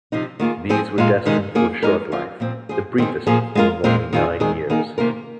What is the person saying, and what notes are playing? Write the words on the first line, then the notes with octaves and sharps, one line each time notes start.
These were destined for a short life, the briefest being only nine years.
C3 F3 C4 D#4
D#3 A#3 F4 G#4
F3 C4 G#4
A#2 G#3 F4
C3 D#3 G#3
D#3 A#3 G#4
G#3 D#4 A#4
F3 C4 F4
A#2 F3 C4
F3 C4 G#4
D#3 C4 G#4
A#2 F3 A#3 G#4
G#3 F4 A#4
A#2 G#3 C4 F4 A#4
D#3 C4 F4 G#4
D#3 G#3 C4 G#4
D#3 A#3 D#4 G#4
C3 D#3 A#3 F4 A#4